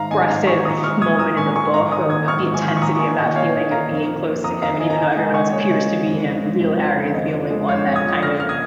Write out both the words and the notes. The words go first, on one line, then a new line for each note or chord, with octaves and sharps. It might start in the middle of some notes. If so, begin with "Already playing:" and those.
expressive moment in the book of the intensity of that feeling of being close to him, and even though everyone else appears to be him, the real Harry is the only one that kind of,
Already playing: G#2 D#3 G#3 F5 A#5
G#2 D#5 G#5
G#5
G#2 F5 A#5
D#3 G#5 C#6
A#2 A#5 D#6
G#3 C#6 F6
A#2 D#6 G#6
G#3 A#5 D#6
A#2 G#5 C#6
G#3 G#5 C#6
G#2 F5 A#5
D#3 A#5 D#6
A#3 D#6 G#6
G#2 C#6 F6
G#2
G#5 C#6
D#3
C#6
A#2 A#5 D#6
A#3 G#5 C#6
A#2 D#5
A#3 C#5 F5
A#2
A#3 F5 A#5
F2
F3
A#3
F2 A#5 D#6
F2 F5 A#5
F3 D#5 G#5
A#5
C#3 D#5 G#5
G#3 D#5 G#5
C#3 G#5 C#6
G#3 C#5
C#3 D#5
G#3
F2
C#3
G#3
F2
F2
C#3
F2 D#5
F3
G#3
F2 C#5 F5
F2
D#6 G#6
F3
C#3 F6 A#6
A#3 F6
D#6 G#6